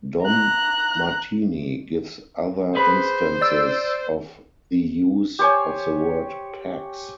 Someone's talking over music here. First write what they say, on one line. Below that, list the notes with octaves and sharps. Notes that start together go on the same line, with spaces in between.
Dom Martene gives other instances of the use of the word "Pax".
A#5 F#6
G#4 B4 C5 B5
D5 E6
G4 C5 C#5 G#5